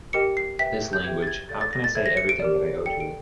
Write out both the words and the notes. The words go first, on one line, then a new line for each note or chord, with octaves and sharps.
This language, how can I say everything that I owe to it?
G4 A#4 D#5 G5 C#7
C7
B4 E5 G5 B6
G6
G4 B4 E5 G5 G#6
A6
G#6
A4 D5 F5 A6
A6
A#6
A6
A4 C5 E5 G#6
A#6
C#7
D7
G4 A#4 D5
A4 D5 G5 C#7
D7